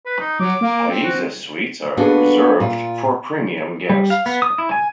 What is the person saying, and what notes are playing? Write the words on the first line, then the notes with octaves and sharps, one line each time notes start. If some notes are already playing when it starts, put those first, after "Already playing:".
Paiza suites are reserved for premium guests.
B4
D#4
F#3 D6
A#3
C4
F#4
A#3 B3 D4 F#4 G#4 A4
A#2 F4
G3
F5
B3
D#6
E4
G#5